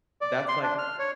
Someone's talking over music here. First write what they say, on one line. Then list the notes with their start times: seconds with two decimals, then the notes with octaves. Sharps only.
That's, like
0.21 D5
0.48 C6
0.63 D4
0.78 F6
0.99 C#5